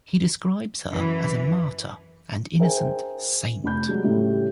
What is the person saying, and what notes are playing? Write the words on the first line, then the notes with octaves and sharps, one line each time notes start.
He describes her as a martyr and innocent "saint".
F#2 E3
G#4 A#4 C5 E5 G5 G#5
F1 B5 G6
F#3 G#3 G4
A2 C#3 G3 A3